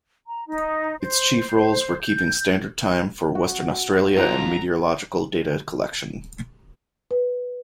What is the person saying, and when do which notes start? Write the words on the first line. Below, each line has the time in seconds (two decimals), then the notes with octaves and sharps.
Its chief roles were keeping Standard Time for Western Australia and meteorological data collection.
0.27 A#5
0.47 D#4
1.01 C5
2.01 G6
3.35 F#4
4.17 B1 F2 F4 A#5 F#6
7.11 B4